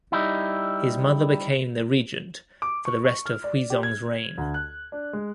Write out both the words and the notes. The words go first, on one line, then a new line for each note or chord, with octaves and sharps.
His mother became the regent for the rest of Huizong's reign.
G3 D#4 E4
D6
C#6
C#6
F6
D5
G4
G#6
D2
F#6
D4
G#3